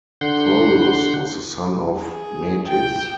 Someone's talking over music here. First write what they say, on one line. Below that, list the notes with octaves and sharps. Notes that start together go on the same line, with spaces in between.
Porus was the son of Metis.
D3 F#5 C6 G6
G#4
G5